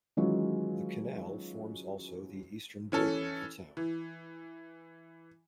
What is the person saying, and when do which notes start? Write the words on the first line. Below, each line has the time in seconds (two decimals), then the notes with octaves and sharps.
The canal forms also the eastern border of the town.
0.17 D#3 E3 F#3 G#3 C#4 F4
2.92 E3 C#4 A4
3.77 E3